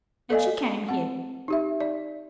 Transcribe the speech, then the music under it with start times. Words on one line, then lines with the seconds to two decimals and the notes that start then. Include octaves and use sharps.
And she came here.
0.30 A4 D5 D#5 F5 G#5
0.89 C4 F#5
1.48 D#4 G4 E5
1.81 D5